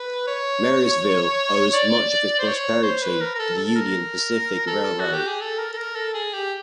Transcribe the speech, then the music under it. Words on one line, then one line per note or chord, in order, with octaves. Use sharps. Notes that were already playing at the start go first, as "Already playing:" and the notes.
Marysville owes much of its prosperity to the Union Pacific Railroad.
Already playing: B4
C#5
D5
C5
C#5
C5
B4
A#4
A#4
A4
A4
A#4
A4
F#4
G4
G#4
A4
A#4
A4
A#4
A4
G#4
G4